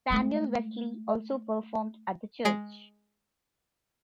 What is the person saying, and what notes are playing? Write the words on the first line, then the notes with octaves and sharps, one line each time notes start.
Samuel Wesley also performed at the church.
G#3 A3
G#3 G#4 D7